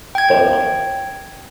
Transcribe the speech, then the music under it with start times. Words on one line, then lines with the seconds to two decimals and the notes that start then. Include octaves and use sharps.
but, um,
0.15 G5 G#6